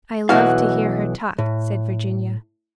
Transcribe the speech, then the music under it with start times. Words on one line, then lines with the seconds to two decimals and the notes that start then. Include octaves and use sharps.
"I love to hear her talk," said Virginia.
0.29 B1 B2 E3 F#4 F5
1.38 A2